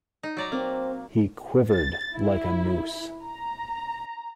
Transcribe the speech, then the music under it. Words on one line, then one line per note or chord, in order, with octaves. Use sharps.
He quivered like a mousse.
D#4
F#3 D5 A#5
A#3 C4
A6
E4
A#5